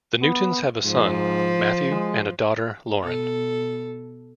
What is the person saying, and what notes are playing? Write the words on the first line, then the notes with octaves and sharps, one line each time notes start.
The Newtons have a son, Matthew, and a daughter, Lauren.
B3
G#2 F3
G#3
B2 A4